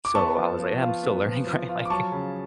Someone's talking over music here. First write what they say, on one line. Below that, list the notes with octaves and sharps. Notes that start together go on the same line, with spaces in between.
so I was like, "I'm still learning, right?" Like
D6
B3 A5 C#6
F3
F3
F4
B3
F3
F3
F4
D6
F#3 A5 C#6
C#3